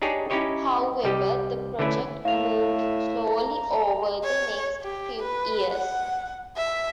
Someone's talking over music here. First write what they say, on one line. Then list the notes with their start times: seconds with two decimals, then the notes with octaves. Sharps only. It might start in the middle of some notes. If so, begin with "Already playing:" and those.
However the project moved slowly over the next few years.
0.02 D4 D#4 G4 G#4 C#5 D5
0.30 C#4 D#4 E4 G4 C#5 D#5
1.03 C2 G3 G4 D#5
1.79 D3 E3 A3 C#4 E4
2.25 A2 E5 F5 F7
3.28 A#5
4.24 C#5
4.83 G4
5.23 B4
5.73 F#5
6.57 E5